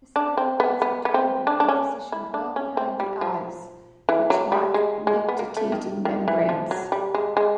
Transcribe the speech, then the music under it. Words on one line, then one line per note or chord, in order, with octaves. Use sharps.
The spiracles are tiny and positioned well behind the eyes, which lack nictitating membranes.
D4
C4
B3
B3
B3
C4
D4
D4
C#4
E4
D4
C#4
C4
G3
F3
E3
F#3
G3
G#3
G#3
B3
A#3
A3
D#3
D#3
E3
F3
F#3
G3
G#3
G#3